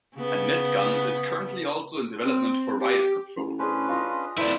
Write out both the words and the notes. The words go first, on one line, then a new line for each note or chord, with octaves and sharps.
A net gun is currently also in development for riot control.
C#3 B3
C4
G4
A1
C#4 D4 G#4 B4 C5
F4 C#5 D#5
E3 D4 E4 A4 C5